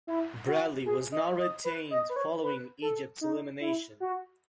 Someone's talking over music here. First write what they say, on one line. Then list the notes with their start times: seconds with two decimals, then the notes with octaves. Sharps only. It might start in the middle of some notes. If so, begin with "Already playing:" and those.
Bradley was not retained following Egypt's elimination.
0.07 E4
0.47 F#4
0.86 G#4
1.12 D#5
1.38 D#5
1.64 B4
1.91 D#5
2.09 B4
2.16 C#5
2.43 B4
2.82 A4
3.21 D#4
3.61 E4
4.00 F#4